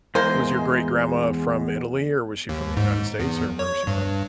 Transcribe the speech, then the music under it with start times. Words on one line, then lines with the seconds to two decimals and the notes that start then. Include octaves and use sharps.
was your great grandma from Italy or was she from the United States or where was she from?
0.15 E2 G#3 A#3 C5
2.49 D#2
2.77 G#2
3.20 E2
3.59 C#5
3.87 G2